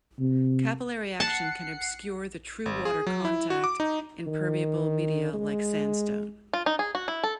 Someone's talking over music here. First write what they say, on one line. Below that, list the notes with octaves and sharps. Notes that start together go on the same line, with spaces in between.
Capillary action can obscure the true water contact in permeable media like sandstone.
C3
F#5 A5 C7 C#7
G#1
G#4
F#3
E4
F#4
D6
D#4
D#3
G#3
F4
D#4
G#4
F#4
E4
A4